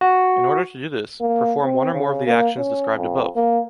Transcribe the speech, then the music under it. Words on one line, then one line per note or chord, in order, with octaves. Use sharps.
In order to do this, perform one or more of the actions described above.
F#4
A#3
C4
C#3
A#3
C#4
F2
A#3